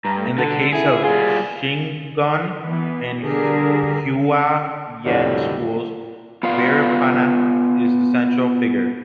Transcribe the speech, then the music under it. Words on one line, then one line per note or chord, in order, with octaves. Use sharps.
In the case of Shingon and Hua-Yen schools, Vairocana is the central figure.
G2 A#5
A3
D3 A4
E4 G#4
G3 F4 G#4
E3 B3
D3 G3 D4 G4 G#4 A#4
F2 A2 D3 D#3 F#3 G3
B3 F4 D5 F5